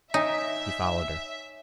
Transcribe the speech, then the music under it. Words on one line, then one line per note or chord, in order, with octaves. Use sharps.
He followed her.
D#4 C#5 E5 G#5